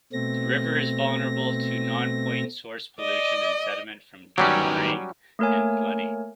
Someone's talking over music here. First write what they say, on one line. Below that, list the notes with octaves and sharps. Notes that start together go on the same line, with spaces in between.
The river is vulnerable to Nonpoint source pollution and sediment from timbering and flooding.
B2 A3 C4 A#6
D5 D#5
D#3 F#3 G3 B3 C#4 G4
A3 A#3 A#4 C#5 G#5